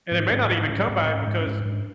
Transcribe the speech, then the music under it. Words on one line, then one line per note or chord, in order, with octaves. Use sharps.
And it may not even come back because
G#2 C4
G#2 C#4
G#2 D4
G#2 C#4
G#2 C4
G#2
C#4
G#2
C#4
G#2
G#2 D4